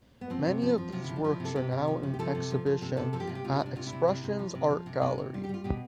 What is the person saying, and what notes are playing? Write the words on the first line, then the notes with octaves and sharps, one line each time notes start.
Many of these works are now in exhibition at Expressions Art Gallery.
B3
F3 C4
C3
F3
F3
C3 F4
E4
F3
D4
F3 E4
C3
A4
C3 G4
C3
F3
C3
G4
F3 A4
C3
F3
F3
C3 A4
C3 A4
F3 A4
G4
C3 F4
G4
C3 F4
C3 D4
C3 F4
E4
C3
C3
C3
F3
C3
F3
C3
C3
C3
G3 F4
G4
G3 F4
B2 G4